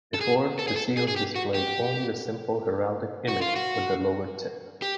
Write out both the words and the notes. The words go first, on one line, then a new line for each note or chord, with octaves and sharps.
Before, the seals displayed only the simple heraldic image with the lowered tip.
A4
G#4
A4
G#4
A4
G#4
G#4
G4
F#4
G4
F#4
F4
F#4
G4